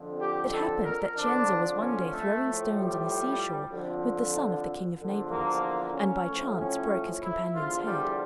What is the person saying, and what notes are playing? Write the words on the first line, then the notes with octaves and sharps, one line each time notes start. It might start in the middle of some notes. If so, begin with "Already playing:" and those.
It happened that Cienzo was one day throwing stones on the sea-shore with the son of the King of Naples, and by chance broke his companion's head.
Already playing: F2 D3 F3
G4
A4
A#4
F2 D3 F3 D4
C#4
A3
A2 F3
G3
F2 D3 F3
E2 D3 F3
A#3
C#4
A2 F3
C#4
E4
E2 D3 F3 F4
G3